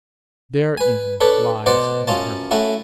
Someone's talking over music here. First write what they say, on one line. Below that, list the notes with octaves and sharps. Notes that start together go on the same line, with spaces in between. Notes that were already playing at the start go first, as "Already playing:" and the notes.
Therein lies the hurt.
B4 G#5
D4 A4 B4 C#5
B2 C5 D5 F#5
F#2 C#4 F4 A5
A3 C#4 E4 F#4